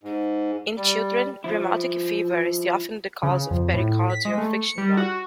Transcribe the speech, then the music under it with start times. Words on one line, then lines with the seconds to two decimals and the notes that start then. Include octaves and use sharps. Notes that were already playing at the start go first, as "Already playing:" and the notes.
In children, rheumatic fever is often the cause of pericardial friction rub.
0.04 G#2
0.77 G3
1.44 F3 E4
3.23 C#3
3.51 F2
3.74 A2
4.10 B6
4.25 G#3
4.38 A3
4.63 C#7
4.78 G3
4.97 F#4